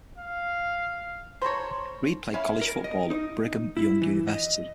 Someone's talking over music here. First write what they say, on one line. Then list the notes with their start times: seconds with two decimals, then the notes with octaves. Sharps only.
Reid played college football at Brigham Young University.
0.18 F5
1.42 A4 C5 C#5 A#5 B5
2.34 C#4 E4 F5
2.61 A#4
2.84 D#5
3.10 D#4
3.77 E4
4.02 E3
4.28 D#5